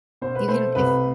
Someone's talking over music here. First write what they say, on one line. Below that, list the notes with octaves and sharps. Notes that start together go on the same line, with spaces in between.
you can if
B2 C5
B4
A3 C5
C2 B4